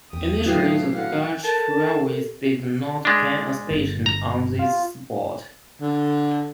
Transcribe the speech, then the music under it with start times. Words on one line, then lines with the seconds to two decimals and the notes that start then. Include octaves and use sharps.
Initially the Dutch railways did not plan a station on this spot.
0.13 E2 G4 D#6
0.46 A2 E3 F#3 A3 F4 G4 C7
0.93 A2 D3 F5 F#5
1.44 A4 A#4 A5
3.05 G#3 D4
3.71 G1
4.06 A#5
4.59 F4
5.81 D3